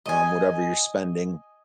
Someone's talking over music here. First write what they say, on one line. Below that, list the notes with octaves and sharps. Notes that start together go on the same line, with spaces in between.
um, whatever you're spending,
D#5 G#5